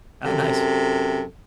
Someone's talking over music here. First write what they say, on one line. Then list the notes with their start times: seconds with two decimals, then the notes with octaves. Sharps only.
Oh, nice.
0.25 F#2 C3 A4